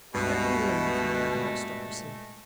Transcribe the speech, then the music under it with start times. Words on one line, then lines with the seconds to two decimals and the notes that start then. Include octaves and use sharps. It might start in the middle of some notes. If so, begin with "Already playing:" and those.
Let me alone for knowing the aristocracy.
0.15 C#2 G2 B2 G#3 A3
1.35 A#2